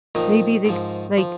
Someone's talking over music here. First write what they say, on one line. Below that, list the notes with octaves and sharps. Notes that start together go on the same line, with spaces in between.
maybe they c like,
A#2 D#3 F3 D#4
G#2 F3
F3